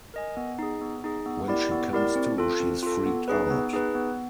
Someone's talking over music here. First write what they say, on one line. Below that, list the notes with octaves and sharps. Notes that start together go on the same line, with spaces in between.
When she comes to, she is freaked out.
A#4 D#5 G#5
B3
D#4 G#4
B3
D#4 G#4
B3
E4 G4 A#4 D5
B3
E4 G4 A#4 D5
C4
F4 A4
C4
F4 A4
B3
D#4 G#4 B4
B3
D#4 G#4 B4
B3